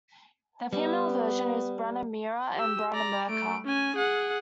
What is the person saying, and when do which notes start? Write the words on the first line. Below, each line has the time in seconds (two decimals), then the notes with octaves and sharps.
The female version is Branimira and Branimirka.
0.73 G3 B3
2.56 G4 E6
2.93 D5 A#5
3.29 A3 D7
3.66 C#4 G#5
3.96 G#4 F#5